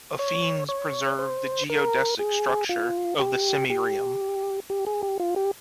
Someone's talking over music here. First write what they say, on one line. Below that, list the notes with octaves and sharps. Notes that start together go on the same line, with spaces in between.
Affines preserve the geodesic structure of the semi Riem.
C#5
C#5
C5
A#4
G#4
F4
G4
G4
G4
G#4
G4
F4
G4